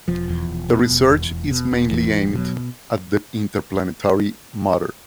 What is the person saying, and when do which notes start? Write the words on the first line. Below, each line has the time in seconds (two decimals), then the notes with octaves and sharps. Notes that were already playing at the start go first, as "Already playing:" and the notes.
The research is mainly aimed at the interplanetary matter.
0.08 E1 F3
0.29 E2
0.49 E1
0.69 B2
0.90 E1
1.10 E2
1.31 E1
1.51 B2
1.71 E1
1.91 E2 E3
2.12 E1
2.23 F#3
2.30 G3
2.33 B2 F#3